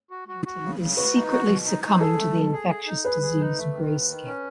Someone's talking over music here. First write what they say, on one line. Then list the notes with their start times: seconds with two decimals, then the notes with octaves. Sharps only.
Meanwhile, Connington is secretly succumbing to the infectious disease "greyscale".
0.10 F#4
0.28 F#4
0.46 F#4
0.62 C#3
0.80 C#3
0.97 F#4 B4
1.14 D#4
1.32 F#4
1.49 B2
1.66 D#4
1.84 D#4
2.00 G#4 A4
2.18 A3
2.35 B2
2.53 G#4
2.70 G#4
2.87 D#4
3.04 G#4 B4
3.22 G#4
3.39 D#4
3.57 A3
3.73 D#3
3.91 D#2
4.08 D#3
4.26 C#4